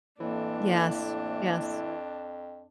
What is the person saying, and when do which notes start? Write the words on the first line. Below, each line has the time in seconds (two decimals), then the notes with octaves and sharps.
Yes, yes.
0.20 F2 A2 E3 A#3 D4